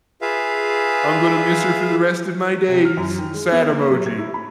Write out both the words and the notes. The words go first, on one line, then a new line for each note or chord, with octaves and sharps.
I'm gonna miss her for the rest of my days, sad emoji,
F4 G#4 B4 E5 F5
C3
F6
F#2
D#3
G#3
B3
A#3
F#3
G#6
E4
B5